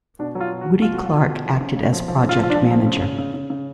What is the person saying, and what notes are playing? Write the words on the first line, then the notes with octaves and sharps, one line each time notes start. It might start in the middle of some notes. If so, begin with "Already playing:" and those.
Woody Clark acted as Project Manager.
B2 D4
F#3
F4
B2
F#4
F#3
B2 F4
F#3 F#4
F4
B2
B2
F3
C#3
C#3
F3
F3
C#3
F4
F3 F4
D4
F3
F3
C#3
C#3
C#3
C#3
C#3